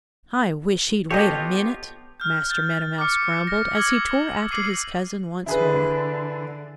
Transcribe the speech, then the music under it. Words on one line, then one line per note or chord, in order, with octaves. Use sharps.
"I wish he'd wait a minute," Master Meadow Mouse grumbled as he tore after his cousin once more.
B3 F4 G4 A4 C#5 D#5
F6 G6
F6 G6 A6
D6 F6 C#7
F6 A#6
D6 E6 F6 G#6 A#6
D6 C7 D#7 F#7
D3 E4 G#4 B4